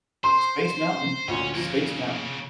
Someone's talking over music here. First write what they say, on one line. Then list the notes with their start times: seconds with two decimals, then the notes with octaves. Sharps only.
Space Mountain. Space Mountain.
0.24 C5 C6
1.28 D2 A#2 C#4
1.55 C#3 F3 A#3 D7